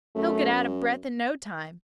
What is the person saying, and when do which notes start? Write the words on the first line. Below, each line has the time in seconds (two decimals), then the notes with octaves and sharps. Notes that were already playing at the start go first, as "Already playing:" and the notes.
He'll get out of breath in no time.
0.15 F#2 A3